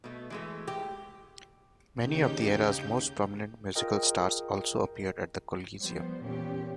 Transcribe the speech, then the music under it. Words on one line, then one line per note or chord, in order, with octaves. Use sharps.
Many of the era's most prominent musical stars also appeared at the Coliseum.
B2 A3
E3 G#3 A3
G4
D#2 C#3 D#4 G4 G6
F4 G#4 A#4 D#5 G5
F3 G3 B3 C5
E2 A#2 C#4 G4